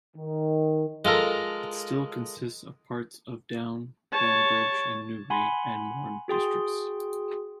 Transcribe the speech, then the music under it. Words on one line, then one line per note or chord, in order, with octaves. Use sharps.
It still consists of parts of Down, Banbridge and Newry and Mourne districts.
D#3
G#3 F4 A4 A#4
C#5 A5
F#5 G#5 B5 C6
F#4 G#4 G5 C6